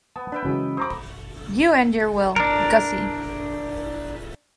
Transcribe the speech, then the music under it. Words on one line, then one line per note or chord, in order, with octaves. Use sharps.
You and your 'Well, Gussie'!
B3 A5
D4 B4 E5 G5
F#2 C#3 E3 F#3 G#3
C5 A#5 B5 D6 D#6
D4 A#4